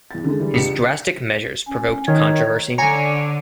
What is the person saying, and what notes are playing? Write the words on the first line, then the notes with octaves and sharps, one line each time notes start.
His drastic measures provoked controversy.
E2 A6
D3 G#3
E3 G3
C#2 D4 G4 C#7 E7
C#4
D#3 C#5
D3 C#5 G#5 A#5